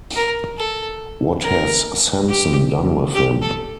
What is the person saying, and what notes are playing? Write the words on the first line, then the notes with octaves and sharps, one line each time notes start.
What has Simpson done with him?
A#4
A4
A#4
G4
G4
A4